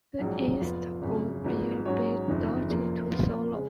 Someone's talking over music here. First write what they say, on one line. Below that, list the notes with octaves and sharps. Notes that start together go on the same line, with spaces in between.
The East would be a bit dodgy to solo.
A#1 G#2 F#3 C#4
F1 F2 F3 B3 F4
G#1 F#2 C#3
G#1 G#2 F3 B3
G#2 F#3 C#4 F#4 C#5
F#1 F2 D#3
F1 F2 F3 A#3 F4
A#2 F3 B3 F4 B4
C#3 G#3